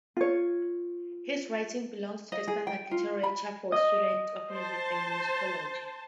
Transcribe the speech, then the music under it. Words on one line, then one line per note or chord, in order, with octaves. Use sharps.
His writings belong to the standard literature for students of music and musicology.
F4 C#5
D#5
G#4
G5
F4
B5
D#5
C5 A5